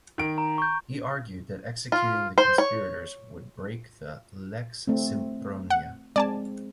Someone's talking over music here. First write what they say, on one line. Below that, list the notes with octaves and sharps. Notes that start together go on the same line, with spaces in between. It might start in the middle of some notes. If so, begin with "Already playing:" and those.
He argued that executing the conspirators would break the "lex Sempronia".
D#3 D7
A#5
C#6 G6
F4
C5
C#5
A3 C4
F#5
G#3 C4 D5 G#5 A5